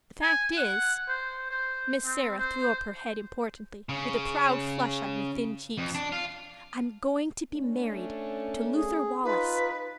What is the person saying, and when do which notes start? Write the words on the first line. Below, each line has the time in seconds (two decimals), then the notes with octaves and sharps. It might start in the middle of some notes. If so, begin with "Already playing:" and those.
The fact is--" Miss Sarah threw up her head importantly, with a proud flush on her thin cheeks--"I'm going to be married--to Luther Wallace.
0.22 G#5
0.57 F#5
1.08 C5
1.51 C5
2.04 C4
2.39 C5
3.89 C#3
5.77 F2
5.95 D4
6.12 F4
7.53 A3 C#4 D4
8.75 G#4
9.24 D#4 F4 B4